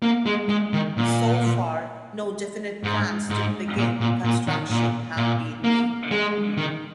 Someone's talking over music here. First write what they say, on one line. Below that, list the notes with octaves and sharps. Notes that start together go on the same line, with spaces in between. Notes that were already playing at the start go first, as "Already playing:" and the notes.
So far, no definite plans to begin construction have been made.
A#3
G#3
G#3
D#3
A#2
G#2
G#2
A#2
A#2
A#2
D#3
A#2
A#2
A#3
G#3
D#3